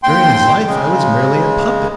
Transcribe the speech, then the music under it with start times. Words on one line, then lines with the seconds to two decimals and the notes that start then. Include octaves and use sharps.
During his life I was merely a puppet.
0.03 D#2 G5 C6
0.67 C#3 G#3